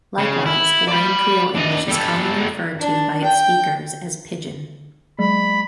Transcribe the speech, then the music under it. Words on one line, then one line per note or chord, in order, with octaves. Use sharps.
Likewise, Hawaiian Creole English is commonly referred to by its speakers as "Pidgin".
C#3
E4
D5 B5
D4 D#5
G3 A4
D4
G5
F#3 G#3 B5